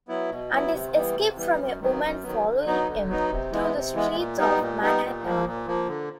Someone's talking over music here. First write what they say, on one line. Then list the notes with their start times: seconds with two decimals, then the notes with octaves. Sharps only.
And his escape from a women following him through the streets of Manhattan.
0.08 F#3 B3 E4
0.29 B2
0.51 F#3 B3 E4
0.73 C3
0.94 E3 G3 B3
1.16 C3
1.37 E3 G3 B3
1.58 F#2
1.80 D#3 F#3 B3
2.02 F#2
2.22 D#3 F#3 B3
2.44 D3
2.66 F#3 B3 D#4
2.87 D3
3.08 F#3 B3 D#4
3.30 C3
3.51 E3 G#3 B3
3.74 C3
3.94 E3 G#3 B3
4.15 A#2
4.37 G3 B3 D#4
4.59 A#2
4.80 G3 B3 D#4
5.02 A#2
5.23 F3 A#3
5.45 A#2
5.67 F3 A#3
5.87 D3